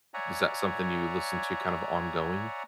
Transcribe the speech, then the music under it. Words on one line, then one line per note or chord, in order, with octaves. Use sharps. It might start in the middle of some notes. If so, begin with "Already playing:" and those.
is that something you listen to kind of ongoing?
C#5 D5 E5 F#5 G#5 A#5